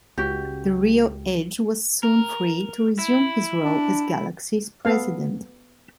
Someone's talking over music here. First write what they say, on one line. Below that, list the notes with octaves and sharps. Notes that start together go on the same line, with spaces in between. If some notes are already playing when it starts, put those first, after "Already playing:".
The real Edge was soon free to resume his role as Galaxy's president.
C#2 F#4 G4
A#4
E4
D4
B3 A4 F5